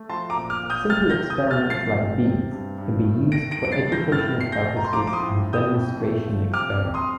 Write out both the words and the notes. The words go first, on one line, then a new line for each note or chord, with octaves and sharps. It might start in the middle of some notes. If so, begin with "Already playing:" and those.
Simple experiments like these can be used for educational purposes and demonstration experiments.
Already playing: A3
F3 A5 C6
A#5 D6
A#2
D6 F6
A#2
D#6 G6
C3 F6 A6
G6 A#6
C3
D#6 G6
A3
F6 A6
F3 A6 C7
C3
C3
G2
G2
A3
D#3 A#6 D7
A#6 D7
G2
D7
A6 C7
G2
G6 A#6
A2 F6 A6
A2 C7
G6 A#6
A3
A#5
C6
F3 A#5 D6
D6
C6 D#6
A2
A2
D#6 G6
F2
A3
F3
C3 D6 F6
F2
C6 D#6